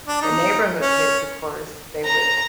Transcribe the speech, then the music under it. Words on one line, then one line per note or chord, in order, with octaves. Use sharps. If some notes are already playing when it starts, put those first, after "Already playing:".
the neighborhood kids, of course, they would
D4
D#4
C#4
A#5